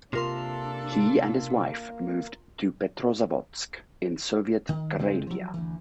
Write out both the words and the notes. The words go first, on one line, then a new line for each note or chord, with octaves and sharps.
He and his wife moved to Petrozavodsk in Soviet Karelia.
C3 A#3 D4 F4 A4 A#4 C6
D#3
E2 C#3 G#3 C4
F3 F#3
D2 E3